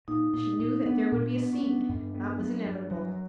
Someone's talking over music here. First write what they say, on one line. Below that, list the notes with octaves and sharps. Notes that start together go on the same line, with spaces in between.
She knew that there would be a scene; that was inevitable.
A#2 D#4
A#2 D#4
A#2 D#4
B3 D4
A#2
B3
C#4
B3 D4
G2
B3
F#3
G2
F#3